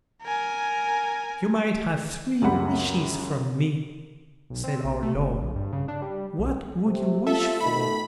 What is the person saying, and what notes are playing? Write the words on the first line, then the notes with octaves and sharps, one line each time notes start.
'If you might have three wishes from me', said our Lord, 'what would you wish for?'
A#4 G#5
C#2 F#2 G4 F#5 B5
B1
C4
A#1
A3
F#1
A#1
G2
C#3
D4
G3
B1
C3
F4 A4 E5
B2 D#3 A3 B5